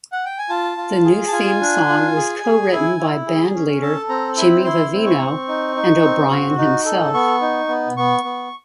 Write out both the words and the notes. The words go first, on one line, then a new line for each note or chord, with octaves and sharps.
The new theme song was co-written by bandleader Jimmy Vivino, and O'Brien himself.
F#5
G5
G#5
F4 A5
F4
G#4
A5
F4 G#5
D4
F4
G#4
G#4
E4
E4
G#4
C#4
A4 A5
C4 A#5
E4 B5
E4 C6
C4
C#6
C4
D#4
D#4
C4
F#4
D#4
A4
B3 C#6
D#4
B3
B3 C#6
B3